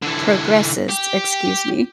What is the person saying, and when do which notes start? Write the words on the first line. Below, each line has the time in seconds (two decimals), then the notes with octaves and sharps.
progresses, excuse me.
0.02 D3 E3
0.89 G4